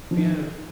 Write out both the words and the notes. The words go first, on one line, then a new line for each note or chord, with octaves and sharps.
We have
F3
D#3